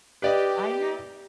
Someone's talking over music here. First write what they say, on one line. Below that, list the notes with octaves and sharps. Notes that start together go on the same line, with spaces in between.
I know.
G4 B4 D5 D#5